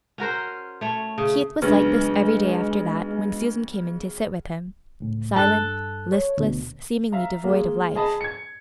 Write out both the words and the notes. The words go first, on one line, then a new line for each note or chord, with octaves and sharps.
Keith was like this every day after that, when Susan came in to sit with him--silent, listless, seemingly devoid of life.
C#4 F#4 A#4 C5
A3 C#5
C#3
B1 C#3 G#3 D4 B4
C#2 A2
G2 A4 F#6
C#5
D2 B2
E5 F5 A#5
G#3 A#3
G#4 D#5 A5 B5
G#6 C#7